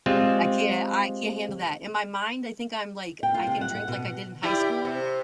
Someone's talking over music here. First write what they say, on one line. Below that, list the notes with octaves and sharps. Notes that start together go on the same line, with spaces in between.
I can't I can't handle that. In my mind, I think I'm like, I can drink like I did in high school,
G3 G#3 C4 F4
G5
F4
C3
F#5
F#5
B2
E4 G4 D5
C3